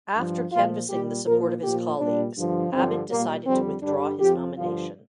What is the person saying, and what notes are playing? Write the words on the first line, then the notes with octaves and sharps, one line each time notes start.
After canvassing the support of his colleagues, Abbott decided to withdraw his nomination.
G2 F3
A#2 F3 F4
A#2 G3 G4
A#2 F3 A#4
A#2 F3 G4
A#2 G3 D4
G2 D3 F3
G2 D3 F3 C4
A#2 G3 A#3
F2 D3 G3 C4
G2 D3 G3 D4
F2 F3 G4
G2 D3 F3 F4